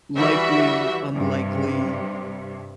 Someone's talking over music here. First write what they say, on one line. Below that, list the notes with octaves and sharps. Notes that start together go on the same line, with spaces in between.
likely, unlikely?
E3 G3 F#4 E5
G2 C3